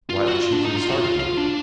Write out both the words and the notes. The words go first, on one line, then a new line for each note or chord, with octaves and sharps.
"What chiefly started you?"
F4
F#4
F4
D4
D#4
F4
F#4
F4
F4
D4